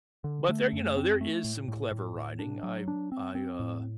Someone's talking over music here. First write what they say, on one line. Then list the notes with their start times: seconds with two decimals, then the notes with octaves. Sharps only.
but there you know, there is some clever writing, I I, uh
0.24 D3
0.49 A3
0.73 F#2
0.97 C4
1.21 A3
1.44 A2
1.68 A2
1.91 A2
2.16 A2
2.39 D4
2.63 F#3
2.88 D4
3.12 C4
3.35 C4
3.59 A2